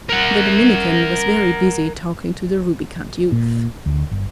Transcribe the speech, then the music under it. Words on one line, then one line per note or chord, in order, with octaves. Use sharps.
The Dominican was very busy talking to the rubicund youth.
A#4 F#5
A#2
D2
G1